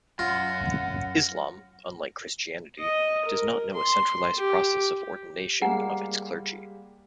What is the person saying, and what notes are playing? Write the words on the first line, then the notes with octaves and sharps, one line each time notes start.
Islam, unlike Christianity, does not know a centralised process of ordination of its clergy.
F#2 F4 F#5 A#6
D#5
A#4
C6
G4
G3 G#3 A#3 F#5 G#5 A#5